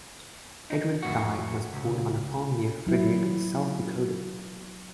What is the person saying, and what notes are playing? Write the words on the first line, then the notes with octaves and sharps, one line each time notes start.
Edward Thye was born on a farm near Frederick, South Dakota.
D#4
F2 A2 F#4
C#2
F#3 E4